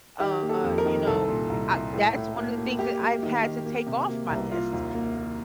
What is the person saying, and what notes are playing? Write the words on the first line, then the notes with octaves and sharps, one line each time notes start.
uh, you know, uh, that's one of the things that I've had to take off my list.
D#3 G4
A#3
A4
F2
A#4
D#3
C2 A4
A#2
C2
C2
A2
A2
A#3
A#3
A#3 G4
A#3
D#3
D#3
A#3
C3
A#3
C2
A#3 F4
D#2
A#3
A#3